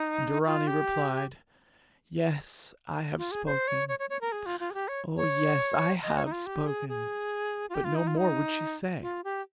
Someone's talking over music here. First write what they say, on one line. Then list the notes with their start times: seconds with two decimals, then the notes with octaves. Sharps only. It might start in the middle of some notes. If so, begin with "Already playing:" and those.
And Dorani replied: 'Yes, I have spoken; oh, yes, I have spoken!' But no more would she say.
Already playing: D#4
0.46 F4
0.67 G4
3.18 F4
3.31 G#4
3.46 C5
3.68 C#5
3.88 C#5
3.99 C#5
4.10 C#5
4.21 A#4
4.32 G#4
4.46 F4
4.60 F4
4.70 G#4
4.74 G4
4.88 C#5
5.16 C#5
6.03 D#5
6.17 C#5
6.25 D#4
6.32 F4
6.46 G4
6.67 G#4
6.89 G#4
7.70 F4
7.74 G4
7.84 F4
7.96 D#4
8.07 F4
8.17 D#4
9.02 F4
9.24 G4